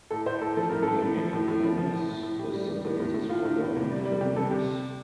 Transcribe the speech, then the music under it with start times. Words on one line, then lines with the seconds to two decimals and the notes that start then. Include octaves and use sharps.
Phonemic awareness is the basis for learning phonics.
0.11 A2 A4
0.26 A2 C5
0.41 A2 A4
0.57 F3 A4
0.69 A2 A#4
0.83 A2 A4
1.02 A2
1.18 F3
1.33 A2
1.48 A2
1.63 F3
1.78 F3
1.93 A2
2.09 A2
2.23 A2
2.39 A2 G4
2.54 G3
2.69 G3
2.85 A2
3.00 A2
3.14 A2
3.30 A2 F4
3.45 A2
3.60 A2
3.76 C3
3.90 G3
4.05 G3
4.21 C3 G4
4.36 G3 A4
4.51 C3 G4